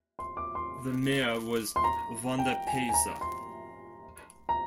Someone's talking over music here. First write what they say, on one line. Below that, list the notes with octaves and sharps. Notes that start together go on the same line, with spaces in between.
The mayor was Vondapeysa.
C6
D6
C6
C6
A#5
G5
G#5
G#5
A#5
C6
A#5